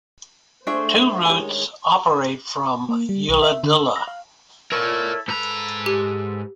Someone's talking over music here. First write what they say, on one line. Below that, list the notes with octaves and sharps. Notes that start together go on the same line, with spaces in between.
Two routes operate from Ulladulla.
A3 D4 G#4 C5 E5 C#6
D#3 G#3 G4 C#5 G#5
A#3
G3
B1
E5
D3
E6
A#6
F5
E4 A4 A#4 C#5 D5
G#2 A4 B4 A#5
G4